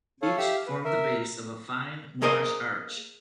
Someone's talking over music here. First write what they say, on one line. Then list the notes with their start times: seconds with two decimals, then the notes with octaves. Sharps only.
Each formed the base of a fine Moorish Arch.
0.22 A4 C#5 F5
0.37 G4 E5 F5 E6
0.67 B4
0.84 A#4 E5
2.22 A#3 G#4 A#4 C5 D#5